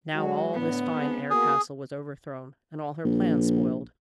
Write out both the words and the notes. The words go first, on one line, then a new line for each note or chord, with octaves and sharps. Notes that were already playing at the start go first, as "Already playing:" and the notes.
Now all this fine air-castle was overthrown and all her plans spoiled.
F#3 G#3 F#4
A2 D3 B3
G#3 C4 D4
A#3 F#4 G#4 A#4
A#1